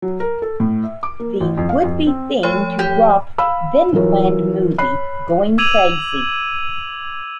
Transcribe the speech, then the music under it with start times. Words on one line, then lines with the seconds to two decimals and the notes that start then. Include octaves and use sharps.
The would-be theme to Roth's then-planned movie, Goin' Crazy!
0.02 F#3
0.20 A#4
0.42 A4
0.60 A2
0.83 E5
1.03 D6
1.20 A#3
1.40 A1
1.57 F2
1.69 F5
1.84 F2
2.07 C4
2.43 F3 A3 C#5
2.79 G4
3.38 F5 B5 E6
3.93 E3 F#3 F4 A#4 C#5
4.78 C#5 B5 F#6 C7
5.58 D6 E6 G#6 D#7 F7 F#7